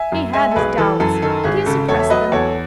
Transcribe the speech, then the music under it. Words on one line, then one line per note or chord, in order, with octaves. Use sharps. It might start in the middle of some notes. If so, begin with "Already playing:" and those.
He had his doubts, but he suppressed them.
Already playing: E5 G#5
F#2
G#3 E5 G#5
A4
B1 G#4 B4
E3 A4
F#2 A4
D#3 A4
G#1 G#4
C#3 A4
E1 A4 C#5
E5
F#3 B4 D#5
E2 A4 C#5